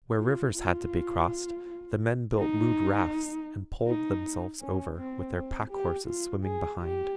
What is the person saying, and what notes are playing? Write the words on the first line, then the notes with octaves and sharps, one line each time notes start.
Where rivers had to be crossed, the men built rude rafts and poled themselves over, with their pack-horses swimming behind.
F4
F4
D#4
D#4
C#4
C4
C4
G4
F4
G#4
G4